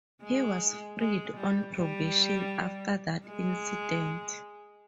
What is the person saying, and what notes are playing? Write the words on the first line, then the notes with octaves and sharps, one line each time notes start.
He was freed on probation after that incident.
G#3
G#3
G3
G3
G#3